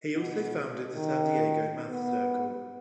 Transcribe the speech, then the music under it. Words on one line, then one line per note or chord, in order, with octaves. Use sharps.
He also founded the San Diego Math Circle.
B2
D#3
B3